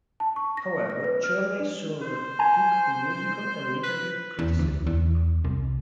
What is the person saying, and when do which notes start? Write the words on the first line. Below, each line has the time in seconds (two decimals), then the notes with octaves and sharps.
However, Chorley soon took to musical and literary criticism.
0.20 A5
0.36 C#6
0.57 A#6
0.90 A#6
1.04 B4
1.23 F6
1.38 D5
1.60 D4
2.02 C5
2.39 G#5
3.83 B4
4.39 E2
4.59 D2
4.87 E2
5.44 C2